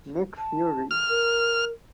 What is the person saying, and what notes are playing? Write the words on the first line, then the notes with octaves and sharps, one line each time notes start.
Nick Fury.
A5
F6
A#4